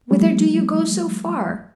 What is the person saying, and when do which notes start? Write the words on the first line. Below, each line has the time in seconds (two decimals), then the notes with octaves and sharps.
Whither do you go so far?
0.11 F3 G3 A3